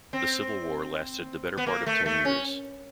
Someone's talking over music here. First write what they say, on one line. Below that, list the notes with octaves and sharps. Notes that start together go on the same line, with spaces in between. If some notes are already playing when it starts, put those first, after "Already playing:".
The civil war lasted the better part of ten years.
C4
B3
A#3
A3
A3
C#4